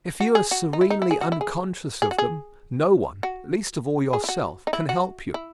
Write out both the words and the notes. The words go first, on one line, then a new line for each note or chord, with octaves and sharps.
If you are serenely unconscious of them, no one--least of all yourself--can help you.
F#4
G#4
F#4
D#4
E4
D#4
E4
G#4
F#4
E4
G#4
G#4
F#4
G#4
F#4
G#4
E4
F#4
D#4
E4
F#4
E4